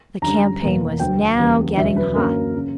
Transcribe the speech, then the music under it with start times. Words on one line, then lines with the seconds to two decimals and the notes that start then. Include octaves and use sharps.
The campaign was now getting hot.
0.22 F#2 D3 G3 A#5
0.62 E2 B2 A#3
0.99 D2 D3 F#3 G5
1.38 E2 C#3 G3 A#3
1.77 E1 D2 C#3 F#3 E5
1.96 B4
2.15 F#2 D3 F#3 A#3 A#4
2.55 C#3